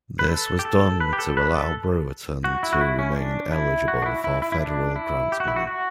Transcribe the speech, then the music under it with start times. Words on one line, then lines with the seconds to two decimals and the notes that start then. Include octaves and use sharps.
This was done to allow Brewerton to remain eligible for Federal grant money.
0.19 B4
0.29 A4
0.59 G4
0.65 A4
1.00 B4
1.13 G4
1.19 A4
1.37 B4
1.55 A4
2.44 F#4
2.63 E4
2.73 F#4
2.81 E4
2.99 C#4
3.16 D4
3.52 E4
3.88 F#4
4.02 D4
4.06 E4
4.24 E4
4.42 E4
4.52 E4
4.60 D4
4.96 E4
5.32 G4
5.40 F#4
5.48 E4
5.56 F#4
5.67 F#4